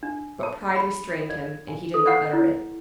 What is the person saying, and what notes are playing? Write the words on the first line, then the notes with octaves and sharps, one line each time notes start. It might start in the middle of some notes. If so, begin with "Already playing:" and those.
But pride restrained him and he did not utter it.
D4
A5
B5
D5
G#5
A4
F#5
E4